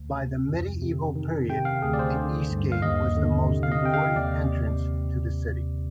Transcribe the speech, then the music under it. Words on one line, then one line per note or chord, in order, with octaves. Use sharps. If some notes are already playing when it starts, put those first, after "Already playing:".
By the medieval period the Eastgate was the most important entrance to the city.
Already playing: D2
C3
F2
C3
D#3
C3 G5
F5
D2 G#4
D5
C5
D3
G2
F5
D#2 D#5
D3
C3
F5
D#5
C3 G5
F5
D#2 D5